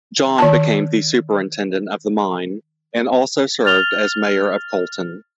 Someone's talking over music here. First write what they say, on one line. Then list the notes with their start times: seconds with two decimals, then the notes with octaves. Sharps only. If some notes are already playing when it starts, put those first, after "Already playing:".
John became the superintendent of the mine, and also served as mayor of Coalton.
0.38 D#3 A5
3.65 F6 A6 F7 G7